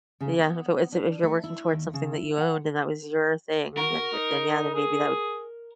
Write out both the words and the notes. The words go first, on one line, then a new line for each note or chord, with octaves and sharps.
Yeah. If it was if you're working towards something that you owned and that was your thing, then then then, yeah, then maybe that would
C#3
B3
D4
A3
E4
D#2
C#3
E4
F#5
F#4 A#4
D#4
G#4